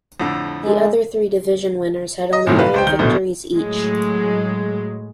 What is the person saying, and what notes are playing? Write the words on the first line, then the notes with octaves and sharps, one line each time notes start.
The other three division winners had only nine victories each.
F2 A2 D3
G#3
D#5
G1 A2 C3 D#3 F#3
B4 F5
C#2 C5 G5
D#3 G6 G7
D1 A#1 B2 D3
A2 F#3 G#3